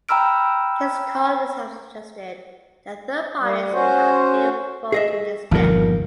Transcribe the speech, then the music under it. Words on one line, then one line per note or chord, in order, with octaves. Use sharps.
His colleagues have suggested that third parties may have been involved in his death.
G5 A#5 B5 E6 F6 D7
G3
C#4 F#4 C5
G#4 D#5 E5
G1 D#2 A#2 F3 A#4